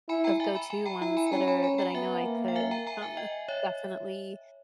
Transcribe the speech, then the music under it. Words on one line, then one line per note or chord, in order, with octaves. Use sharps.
of go-to ones that are that I know I could, um, definitely
E4 G#5 B5
G5 A#5
E5 G#5
G#5 B5
G#5 B5
G5 A#5
E4 G5 A#5
G#5 B5
G#5
C#4 G5 A#5
G#5 B5
G#5 B5
G5 A#5
B3 E5 G#5
A#3
G5
E5 G#5
G5 A#5
G5 A#5
E5 G#5
D#5 G5
C#5 E5